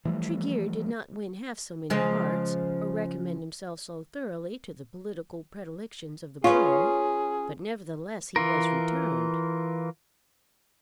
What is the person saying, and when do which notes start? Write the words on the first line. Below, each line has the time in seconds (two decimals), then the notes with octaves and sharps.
Tregear did not win half so many hearts, or recommend himself so thoroughly to the political predilections of the borough;--but nevertheless he was returned.
0.05 E3 F3 G3 A3
1.90 C#3 F3 G#3
6.44 C#4 F4 G#4 B4
8.36 E3 F4 A#4